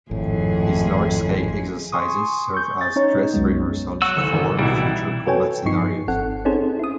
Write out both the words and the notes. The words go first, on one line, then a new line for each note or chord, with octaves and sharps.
These large-scale exercises serve as "dress rehearsals" for future combat scenarios.
G#1 F2 A2 G#4
G#5 C6 C#6 D#6
C#6 G6
A6
C#4 D#4 C#5
C2 F#2 F#3 G#3 B3
F#3 F#4 E6
F#1 A4
A1
C2 B2 E3 G3 E4
F#4 A4 B4 C#5 G5 G#5
G2 F3 D#4 C#6 C7
G#1 C4 A4 F#5
C4 C#4 D#4 G#4 A4 C5
E4 D#6